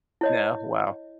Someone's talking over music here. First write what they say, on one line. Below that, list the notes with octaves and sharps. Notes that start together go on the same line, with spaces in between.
Yeah, wow,
E4 C#5 D#5